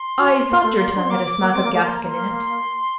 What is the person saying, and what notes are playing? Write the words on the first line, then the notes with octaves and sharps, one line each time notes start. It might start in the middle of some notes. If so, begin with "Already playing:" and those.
"I thought your tongue had a smack of Gascon in it."
Already playing: C6
F#4
A#3
A3
A#3
D4
C4
A#3 D6
D6
A#3
C4 D6
A#3
A3 D6
A#3 C6
A#5
C6